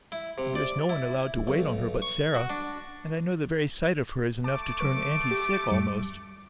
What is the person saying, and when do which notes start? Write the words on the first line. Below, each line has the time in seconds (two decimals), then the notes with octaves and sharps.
Then there is no one allowed to wait on her but Sarah, and I know the very sight of her is enough to turn auntie sick almost.
0.12 E4
0.38 C3
0.55 D5
0.89 E4
1.47 B1
2.02 C#6
2.35 F#4
2.50 D4
4.44 A3 A5 D6
4.79 F#3 B4 C#6
5.31 G4
5.71 F#2 G3 C#7